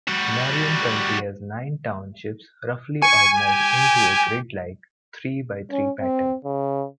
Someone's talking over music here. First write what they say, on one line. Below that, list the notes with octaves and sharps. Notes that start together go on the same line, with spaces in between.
Marion County has nine townships roughly organized into a grid-like, three-by-three pattern.
G3 F#4
G#5 C#6
G4
C#4
C4
C#3